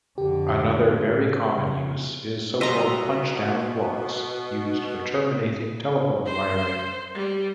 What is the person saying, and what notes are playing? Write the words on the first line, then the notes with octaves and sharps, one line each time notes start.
Another very common use is so-called punch-down blocks used for terminating telephone wiring.
F2 D3 G4
A2
C#3
B2 G3 F#4 C5 D#5 E5 A#5 C6
C5
G3